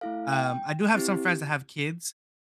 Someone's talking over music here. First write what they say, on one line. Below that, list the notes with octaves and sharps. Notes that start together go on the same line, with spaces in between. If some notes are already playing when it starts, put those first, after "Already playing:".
um, I do have some friends that have kids,
A3 E4 A4 F5
G5
C4 E4 G4